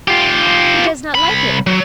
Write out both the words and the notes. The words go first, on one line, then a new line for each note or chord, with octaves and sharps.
He does not like it!
F4 G4
C2 B5
F#3